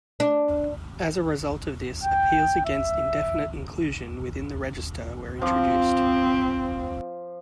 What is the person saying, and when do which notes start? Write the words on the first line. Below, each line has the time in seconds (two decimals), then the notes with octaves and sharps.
As a result of this, appeals against indefinite inclusion within the register were introduced.
0.20 D4
2.04 G5
2.66 E5
5.42 F3 C4 D6